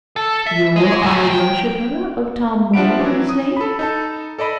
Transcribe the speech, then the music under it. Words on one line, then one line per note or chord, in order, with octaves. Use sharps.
'You are a worshipper of Tom Moore, Miss Lake?'
A4
E5
G#3
E2 A2
G5
F3 D4 E5 F#5 B5 D7
E3 F#3
D#6
A4 B5
D#4 A4 A5
A4 D5 D#5 B5